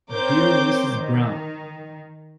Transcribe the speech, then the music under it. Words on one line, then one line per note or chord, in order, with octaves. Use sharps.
Dear Mrs Brown.
C4 A#4 C5 C#5 D6 G6
D#3